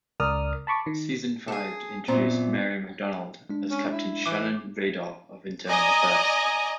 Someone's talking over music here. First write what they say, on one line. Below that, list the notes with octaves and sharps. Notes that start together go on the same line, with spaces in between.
Season five introduced Mary McDonnell as Captain Sharon Raydor of Internal Affairs.
C#2 A#4 D5 D#6 F6
A5 B5 C#6 D6
D#3
G#4 A4
F#2 A#2 B3 C4 C5
G#3 D4
C#4
E4
E3 D6
D5 D#5 G#5 A#5 D#6